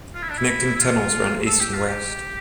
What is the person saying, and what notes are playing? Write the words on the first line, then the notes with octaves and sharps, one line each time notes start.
Connecting tunnels ran east and west.
F4
E4
D4
E4
E4
F4
A4
G4
F4
G4